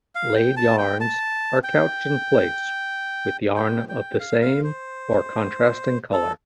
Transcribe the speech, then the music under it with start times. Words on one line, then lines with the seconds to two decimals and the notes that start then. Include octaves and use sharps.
Laid yarns are couched in place with yarn of the same or contrasting colour.
0.15 F5
0.36 G5
0.57 A5
0.78 G5
1.01 A5
1.64 G5
3.57 G5
3.89 G5
4.20 F5
4.42 F5
4.64 C5
6.13 A4